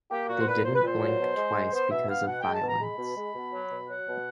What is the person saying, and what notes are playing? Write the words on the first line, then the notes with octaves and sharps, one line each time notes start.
They didn't blink twice because of violence.
A#3 G4
A#2 F#4
C5
A#2 B4
A#2 C5
B4
A#2 C5
F#3
B2
G#3
G#3
B3 C5
B2 E5
B3 F5
B2 F#5
G#3 G5
A5
B2 A#5
G#3 B5
B2
G#3
B2
F#3
B2
F#3 F#5
B2